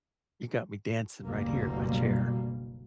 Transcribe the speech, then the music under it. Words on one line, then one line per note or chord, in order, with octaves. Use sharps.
you got me dancing right here in my chair.
F#1 D2 B2 G3 A#3